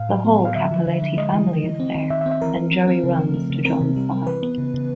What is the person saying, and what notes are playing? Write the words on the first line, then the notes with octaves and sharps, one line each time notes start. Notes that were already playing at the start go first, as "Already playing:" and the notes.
The whole Cappelletti family is there, and Joey runs to John's side.
Already playing: A2 F5
F#3
B3
F#3 F5
D3 E5
F3
D3
D3
G#3 D#5
E3
E3
E3
C4
D#3
D#3 E5
E5
C4
E5
E3 A#4
E3
C4
C4
C#3
F3
A3
C#3
C4 A#4
C3
G3
C4
E3 B4
B3
C#3
C#3